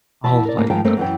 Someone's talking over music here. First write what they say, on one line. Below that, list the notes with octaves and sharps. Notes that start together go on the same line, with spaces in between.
Oh my god.
E2 E4 A5
A#4 D5
A2 C#3 A#3
G#2 D#3 F3 G5 A5
G2 A3 A#3 C4
F#2 E3 G5